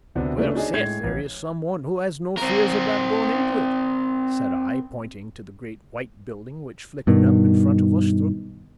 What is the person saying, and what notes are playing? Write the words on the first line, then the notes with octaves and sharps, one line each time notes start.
"Well, Seth, there is some one who has no fears about going into it," said I, pointing to the great, white building which flickered up in front of us through the gloom.
D2 C3 B3 C4 D4
C#3 A3 A#3 D4 B4
D4 D#4 G#4 C#5 D#5
A2 G#3 G#6 C7
A1
C4 A#4
G2 B2 D#3